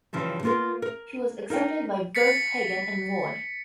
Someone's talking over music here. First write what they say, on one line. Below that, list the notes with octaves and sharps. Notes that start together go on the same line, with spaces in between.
She was accepted by both Hagen and Ward.
G2 C#3 E3 F3 G3
A#3 B3 F4 F#4 A#4
A#4
D#4 A#4 E5 G5
A6 B6 C#7